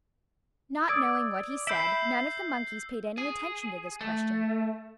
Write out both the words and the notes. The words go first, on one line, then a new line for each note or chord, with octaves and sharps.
Not knowing what he said, none of the monkeys paid any attention to this question.
D5 D#6 E6 G#6
E5 B5 E6 G6 C7 D7
G#4
A3